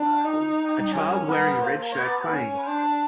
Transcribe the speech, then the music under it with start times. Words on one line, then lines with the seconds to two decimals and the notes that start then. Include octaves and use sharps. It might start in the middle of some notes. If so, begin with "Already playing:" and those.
A child wearing a red shirt playing.
Already playing: D4
0.24 D#4
0.94 C#4
1.28 B3
1.63 A#3
1.98 B3
2.33 C#4
2.67 D4